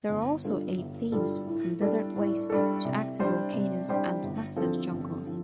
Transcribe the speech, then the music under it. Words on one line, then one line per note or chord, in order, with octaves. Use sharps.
There are also eight themes, from desert wastes to active volcanoes and massive jungles.
G1
G2 G3 F4 A4
G1
G2 G3 F4 A4
A2
G3 D4 A4
A2
G3 D4 A4
C3
G3 D4 G4 C5
C3
G3 D4 G4 C5
G1
G2 F3 C4 A4
G1
F3